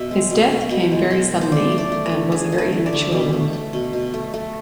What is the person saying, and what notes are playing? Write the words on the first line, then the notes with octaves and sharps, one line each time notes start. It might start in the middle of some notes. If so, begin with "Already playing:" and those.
His death came very suddenly and was a very immature one.
Already playing: B2 E5
G#3
B2
B3
B2
G#3
B2
B3
C5
D3 D5
A3
D5
A3
B4
D3
D3 G#4
A3
B4
A3
D5
D3
B2
A3
A3
B2
B2
A3
A3